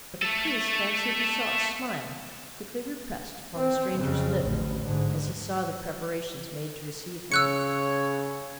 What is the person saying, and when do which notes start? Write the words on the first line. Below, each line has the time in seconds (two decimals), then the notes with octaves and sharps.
But the priest fancied he saw a smile, quickly repressed, upon the stranger's lip as he saw the preparations made to receive him.
0.22 A3 A4
3.56 C4
3.99 F2 C#3
4.43 A1 D2
4.82 G#2 D3
7.32 C#3 C#5 E6 F#6 C#7